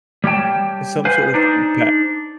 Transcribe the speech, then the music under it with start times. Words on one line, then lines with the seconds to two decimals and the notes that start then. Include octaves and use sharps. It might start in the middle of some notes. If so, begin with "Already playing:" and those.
Some sort of m pa
0.24 G3 G4 C#5 G5 A5
1.05 B4 C5 F5 G#5
1.34 D4 D#4 C5